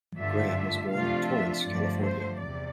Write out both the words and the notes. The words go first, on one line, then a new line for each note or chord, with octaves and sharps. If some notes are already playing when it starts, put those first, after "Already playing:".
Graham was born in Torrance, California.
G2 D3 A3 D4 F4 E5
C3 F3 A3 D4 F4 F5
E5
G2 D3 F3 A3 D5
C5
E2 C3 D5